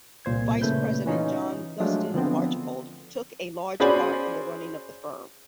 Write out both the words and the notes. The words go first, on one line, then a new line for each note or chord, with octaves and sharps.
Vice-president John Dustin Archbold took a large part in the running of the firm.
C2 A#2 C5 G#6
A#2 C#3 A3 B4 G6
E3 C#4 D#4 F4
F3 F#3 G#3 A3 D4 F4
D3 F3 B3 C4
C#4 F#4 G#4 C5 D5 B5